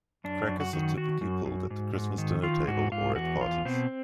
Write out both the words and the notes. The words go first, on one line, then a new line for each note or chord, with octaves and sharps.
Crackers are typically pulled at the Christmas dinner table or at parties.
F#2 D4
F#2
F#4
D#3
D#3 F#4
F#2
F#2
G#2
G#2
D#3
D#3 F4
G#2 F#4
G#2 F4
E2 F#4
E2 F4
B2 C4